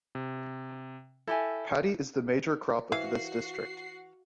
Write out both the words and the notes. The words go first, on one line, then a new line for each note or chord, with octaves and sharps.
Paddy is the major crop of this district.
C3
E4 G4 A4 G#5
E3 F#4 F5 F#5 C7